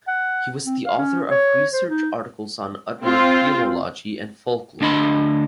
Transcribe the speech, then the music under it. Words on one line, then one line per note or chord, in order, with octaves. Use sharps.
He was the author of research articles on Udmurt Philology and folklore.
F#5
C4
F5
C#4
C#5
C5
D#4
C4 F4
D2 D4 D#5 B5 C6